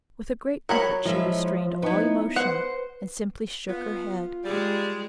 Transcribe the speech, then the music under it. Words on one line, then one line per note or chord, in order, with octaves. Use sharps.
With a great effort she restrained all emotion and simply shook her head.
F#3 A#4 C#5 B5
F3 G#3 E4 F4 E5
B3 D#4 E4
B4 C5 F#5
B3 F4
G3 G#3 G#4